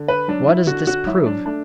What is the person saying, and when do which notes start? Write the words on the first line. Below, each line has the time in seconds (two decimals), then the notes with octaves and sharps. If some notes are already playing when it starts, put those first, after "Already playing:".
What does this prove?
Already playing: D3
0.08 B4
0.28 F#3 D4
0.48 E4
0.67 D3 F#4
0.87 F#4
1.06 F#3 E4
1.26 D4
1.46 A3 D4